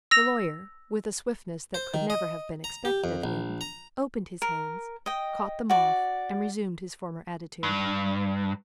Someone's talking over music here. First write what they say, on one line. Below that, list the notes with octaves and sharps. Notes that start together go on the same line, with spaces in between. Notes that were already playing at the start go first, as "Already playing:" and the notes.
The lawyer, with a swiftness that could never have been expected of him, opened his hands, caught the moth, and resumed his former attitude.
E6 A#6 F7
C5
D#3
D#5
A#5
G4
F2
A#1
A#5
A#4
D#5 G5
F#4 D5
G2